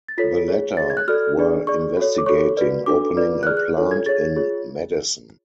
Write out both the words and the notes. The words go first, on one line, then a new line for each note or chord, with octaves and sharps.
The latter were investigating opening a plant in Madison.
A6
F4 A4 C#5 B6
G#4 C#5
G#4 C#5 A6
G#6
F#6
F#4 A4 D5 F6
D4 G#4 D5
G#4 D5 C#6
F#4 A4 C#5
D6
F#4 A4 C#5 C#6
F#4 B4 D5
D4 F#4 A4 D6
F4 B4 D5
F#6
G#4 D5 F6
F#6
D4 F4 A4 C#5
G#6
G#4 C#5 A6
F4 G#4 C#5